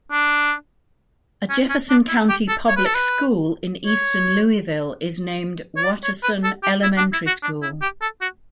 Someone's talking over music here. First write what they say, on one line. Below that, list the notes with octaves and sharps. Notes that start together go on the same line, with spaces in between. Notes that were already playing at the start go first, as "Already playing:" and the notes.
A Jefferson County Public School in eastern Louisville is named Watterson Elementary School.
D4
C#4
C#4
D4
E4
G4
A4
C#5
B4
A4
B4
C#5
C#5
D5
C#5
B4
A4
G4
E4
D4
E4
F#4
D4
E4
G4
A4
F#4